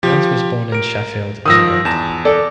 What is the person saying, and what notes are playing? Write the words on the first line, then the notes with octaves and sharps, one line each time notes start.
Rands was born in Sheffield, England.
F3 G4
A#4 D7
D#3 F3 D#6 E6 A#6
E2 A5 E7
A4 D5